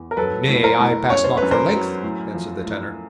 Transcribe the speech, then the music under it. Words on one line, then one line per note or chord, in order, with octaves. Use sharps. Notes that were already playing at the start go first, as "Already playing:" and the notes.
"Nay, I pass not for length," answered the Tanner.
Already playing: E2
A#4
F#3 A4 B4
A2
A#4 C5
A2
F#2 C#5
C5
F#2 B4
A#4 C5
F#3
A2
F3
A2